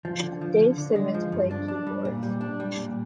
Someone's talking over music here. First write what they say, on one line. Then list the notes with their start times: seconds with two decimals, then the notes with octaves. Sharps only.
Dave Simmons played keyboards.
0.05 F3
0.23 D3
0.41 F3
0.60 D3
0.78 D3
0.96 G#3
1.14 F3
1.32 G2
1.51 D4
1.68 D4
1.87 G3
2.05 A#2
2.23 G3
2.41 D4
2.60 G3
2.77 A#2